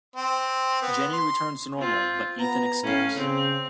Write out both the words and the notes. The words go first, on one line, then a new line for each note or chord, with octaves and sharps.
Jenny returns to normal, but Ethan escapes.
C4
B3
C6
C4 F4
B3 A#5
A2 C#4 F5
C#3 C4